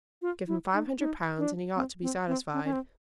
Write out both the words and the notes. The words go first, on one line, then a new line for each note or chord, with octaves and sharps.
Give him five hundred pounds, and he ought to be satisfied.
F4
E4
D#4
D#4
D4
C4
C4
C4
C#4
C#4
C4